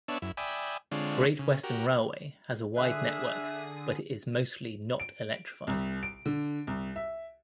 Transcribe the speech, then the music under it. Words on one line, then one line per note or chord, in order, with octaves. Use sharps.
Great Western Railway has a wide network, but it is mostly not electrified.
B3 D4 C#5 E5 A5
F#2 E4
D5 E5 G5 G#5 B5 D#6
D3 G#3 C4 D4 F4 C#5
C#3
F#4 G4 A#4
D3 D4 G#4 E5 D#6 F#6
D7
C2
D7
D3
C2
E5